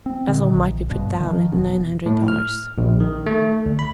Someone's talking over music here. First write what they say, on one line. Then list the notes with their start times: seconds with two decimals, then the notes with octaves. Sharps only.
Bazil might be put down at nine hundred dollars.
0.06 C4
0.28 A#2 D3 D#3
0.54 A#1
0.88 G#1 G2 B2
1.20 D#3 F3
1.52 F1 B2
2.06 A2
2.28 F6
2.78 A#1
3.00 D#3
3.26 A3
3.66 D2
3.79 B5